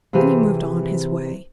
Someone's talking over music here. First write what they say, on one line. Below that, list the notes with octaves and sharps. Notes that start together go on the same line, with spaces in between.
And he moved on his way.
C3 E3 F4 G4 G#4